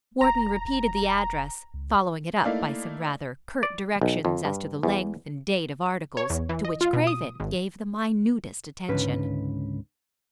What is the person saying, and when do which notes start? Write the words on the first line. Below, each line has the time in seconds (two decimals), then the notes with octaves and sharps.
Wharton repeated the address, following it up by some rather curt directions as to the length and date of articles, to which Craven gave the minutest attention.
0.21 E1 A#5
1.74 C#2
2.44 A3 A#3 D#4 E4 D5 F5
3.63 D5
4.01 B1
4.25 F2
4.45 G2
4.83 E2
6.17 C#5
6.30 E2
6.49 E3
6.65 D#5
6.81 F4
6.93 B2
7.07 D#6
7.40 G#1
8.88 C#2 G#2 D3 C#4 B4